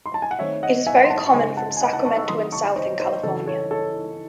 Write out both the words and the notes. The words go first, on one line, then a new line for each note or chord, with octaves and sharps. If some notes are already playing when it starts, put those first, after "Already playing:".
It is very common from Sacramento and south in California.
C6
A5
G#5
F#5
D#3 A3 C4 C#5 E5
D#5 F#5
E5 G#5
C6
F#5 A5
D#6
C#6
C#3 G#3 C4 G#5 C6
F#5 A5
G#5
D#5 F#5
F#5 A5
A5 C#6
C#6 E6
D#3 F#3 A3 C4 C6 D#6
A5 C#6
C5 D#5
C#5
C5
C#3 E3 C4 A4
A4 C#5
A4 C#5